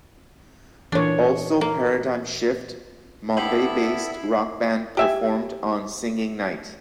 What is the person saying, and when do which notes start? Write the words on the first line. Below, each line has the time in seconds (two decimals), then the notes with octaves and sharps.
Also Paradigm Shift, Mumbai based rockband performed on singing night.
0.92 A#2 E3 D4 C#5
1.61 A#3
3.37 D3 B3 E4 G4 A4 B6 C7 F#7
4.97 G4 E5 G#5